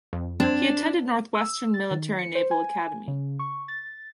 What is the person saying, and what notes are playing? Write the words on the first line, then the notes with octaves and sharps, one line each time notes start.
He attended Northwestern Military Naval Academy.
F2
C4 D4 C5 G#6
E6
A6
D#3
C#7
C5
G#5
C#3
C#6
A6